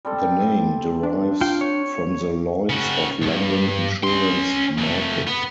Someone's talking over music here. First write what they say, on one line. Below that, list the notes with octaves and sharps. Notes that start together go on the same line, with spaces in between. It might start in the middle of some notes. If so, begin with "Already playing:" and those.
The name derives from the Lloyd's of London insurance market.
G3 C4 A4
D4
F4 G5
C#5
C#3 F#4
B1 G2
C#4 C6
F2 A3
B3